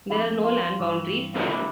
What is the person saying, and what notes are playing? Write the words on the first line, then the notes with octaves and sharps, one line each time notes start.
There are no land boundaries.
F2 D3 E4
F4
G2 E3
D3 E4